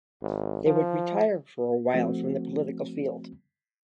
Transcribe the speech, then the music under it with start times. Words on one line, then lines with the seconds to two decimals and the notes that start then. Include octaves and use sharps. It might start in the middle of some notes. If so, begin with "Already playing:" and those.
They would retire for a while from the political field.
0.22 G#1
0.66 F3
1.94 F3 A3 C4 F#4